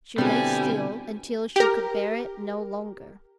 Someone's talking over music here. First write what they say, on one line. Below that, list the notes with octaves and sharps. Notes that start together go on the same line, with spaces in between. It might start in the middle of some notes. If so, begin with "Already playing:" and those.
She lay still until she could bear it no longer.
B2 D3 G3 B3 C4 E4 G#5
G4 A#4